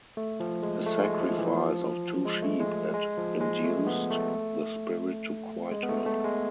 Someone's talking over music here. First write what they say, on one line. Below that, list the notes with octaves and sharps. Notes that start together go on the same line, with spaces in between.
A sacrifice of two sheep had induced the spirit to quit her.
A3
F3
G#3
A3
G#3
F3
E3
F3
G#3
A3
G#3
G#3
F3
G#3
A3
B3
A3
G#3
B3
A3
A3
G#3